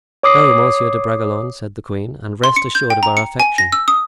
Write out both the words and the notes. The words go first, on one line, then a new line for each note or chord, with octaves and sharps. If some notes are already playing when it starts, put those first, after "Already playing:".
"Go, Monsieur de Bragelonne," said the queen, "and rest assured of our affection."
C#5 D6 D#6 C7
C6
C#7
G6
G5
A#5
C#7
G#5
A#6
E6
D#6